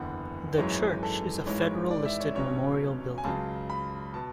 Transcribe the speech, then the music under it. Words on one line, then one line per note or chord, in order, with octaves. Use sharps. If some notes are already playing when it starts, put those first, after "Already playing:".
The church is a federal listed memorial building.
Already playing: F#1 E2 D3 F#5
G#1 F#2 E3 G#3 C#5
A4
G#1 G#2 E3 G#3 C#5
D5
E5
C#5
B1 B2 F#3 C#4 C#5
G#5
C#2 C#3 F#3 A5
B5
B2 A5